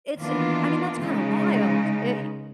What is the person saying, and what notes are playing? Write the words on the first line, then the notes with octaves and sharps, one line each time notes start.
it's i I mean, that's kinda wild, i
D#3 E3 A#3 B3 D4 F4
C#3 G#3 D#4